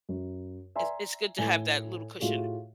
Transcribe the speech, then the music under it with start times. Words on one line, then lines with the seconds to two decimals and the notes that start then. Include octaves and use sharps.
It's it's good to have that little cushion.
0.09 F#2
0.75 D5 E5 G#5 A#5 C6
1.38 A2 A4 G#5 G7
2.20 A2 F4 F#4 G#4